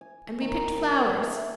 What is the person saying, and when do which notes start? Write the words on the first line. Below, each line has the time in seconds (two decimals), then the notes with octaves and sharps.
And we picked flowers.
0.01 G#5
0.41 D#3
0.77 A5
1.03 G#5
1.27 E5